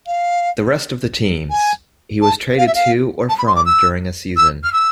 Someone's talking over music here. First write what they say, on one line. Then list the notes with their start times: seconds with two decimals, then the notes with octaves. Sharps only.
The rest of the teams, he was traded to or from during a season.
0.07 F5
1.50 G#5
2.22 A5
2.58 F5
2.67 E5
2.75 F5
3.29 A5
3.38 B5
3.47 C6
3.56 D6
3.66 E6
4.37 E6
4.64 F6
4.73 E6